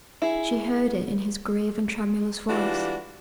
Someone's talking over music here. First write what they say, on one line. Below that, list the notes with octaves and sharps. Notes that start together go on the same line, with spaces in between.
She heard it in his grave and tremulous voice.
E4 G#4
E3 G3 D4 F4 F#4